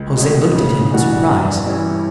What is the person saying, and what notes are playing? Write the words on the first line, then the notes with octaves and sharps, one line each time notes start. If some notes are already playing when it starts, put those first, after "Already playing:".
Jose looked at him in surprise.
Already playing: C#2
B2 A3 C#4
C#3
E3 G3 D4 F#4
G2
E3 G3 C#4 E4